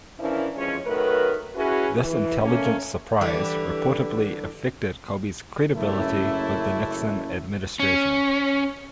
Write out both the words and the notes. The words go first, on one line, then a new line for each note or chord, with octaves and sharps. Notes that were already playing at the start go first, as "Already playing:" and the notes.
This intelligence surprise reportedly affected Colby's credibility with the Nixon Administration.
E3 F3 C#4 D4 E4 A#4
F2 E3 F3 G#3 C#4 C#5
D#3 F#3 A3 A#4 B4
C#4 E4 F#4 G#4 B4
E3
A3 A#3 C#4
D3 E3 G3
F#1 F#2 A3 A#3 E4
C#4